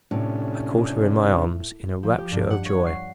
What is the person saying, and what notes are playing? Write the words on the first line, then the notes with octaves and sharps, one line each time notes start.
I caught her in my arms in a rapture of joy.
A2 C3 C#4 D4
F3
G4
G2
F#5
C#5
C7